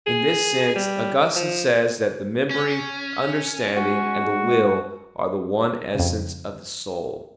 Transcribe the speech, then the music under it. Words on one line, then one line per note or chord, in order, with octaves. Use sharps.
In this sense, Augustine says that the memory, understanding, and the will are the one essence of the soul.
G#4
G3
F3
C#4
G#3 F#4
F2 C#3